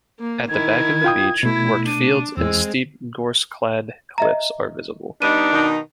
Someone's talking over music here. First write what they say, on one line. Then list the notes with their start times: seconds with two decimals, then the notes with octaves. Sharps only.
At the back of the beach, worked fields and steep gorse-clad cliffs are visible.
0.20 A#3
0.49 D#3 E4 G#6
1.04 F4 G5 D#6
1.43 B2 A3 E4
1.87 D4 D#7
2.37 E2 E3 G#3 C4 E6
4.18 D#5 E5 A#5
5.22 G3 B3 D4 D#4 D#7
5.52 B2 D#3 D#4